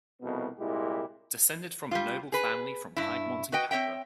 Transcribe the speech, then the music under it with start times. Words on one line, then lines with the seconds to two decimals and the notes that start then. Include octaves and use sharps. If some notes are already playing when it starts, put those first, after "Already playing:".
Descended from a noble family from Piedmont and Capua.
0.21 C2 F2 B2
0.58 C2 A#2 G#3 E4 G4
1.91 G3 F4
2.32 G#4 B4
2.97 G2 E4
3.52 F#4 B4 D#5 G5
3.71 C4 C#5 E5 G5